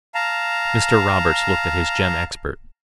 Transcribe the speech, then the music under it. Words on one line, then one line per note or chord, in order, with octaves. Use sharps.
Mr. Roberts looked at his gem expert.
F5 A5 A#5